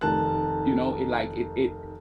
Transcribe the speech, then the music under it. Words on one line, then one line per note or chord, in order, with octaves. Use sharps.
You know, it like it it
F1 D#3 A#4 A5 F#6